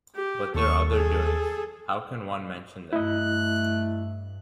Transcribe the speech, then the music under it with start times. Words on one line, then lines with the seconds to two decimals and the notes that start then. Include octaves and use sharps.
But their other doings, how can one mention them?
0.15 G4
0.55 D#2 A4 C#6
0.91 G#4 A4
2.93 G2 A3 E4 D#5 F#6